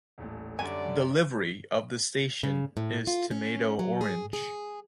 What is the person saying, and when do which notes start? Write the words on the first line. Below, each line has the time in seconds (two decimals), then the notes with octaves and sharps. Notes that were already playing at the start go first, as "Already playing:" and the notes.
The livery of the station is tomato orange.
0.18 D#1 A1 A2
0.59 F#2 D3 G3 D5 G#5
2.43 C#3
2.77 A2
3.07 F4
3.31 C#4
3.79 F#3
4.01 G#4
4.33 G#4